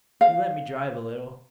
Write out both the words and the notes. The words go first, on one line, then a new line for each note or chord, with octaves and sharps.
He let me drive a little.
F5